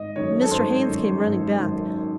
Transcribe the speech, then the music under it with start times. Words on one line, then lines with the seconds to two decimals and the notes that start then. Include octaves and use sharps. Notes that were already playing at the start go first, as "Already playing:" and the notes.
Mr. Haynes came running back.
Already playing: G#1 D#5
0.16 F#2 D#3 C#5
0.41 A4
0.51 G#1 C5
0.87 F#2 D#3
1.24 G#1
1.59 F#2 D#3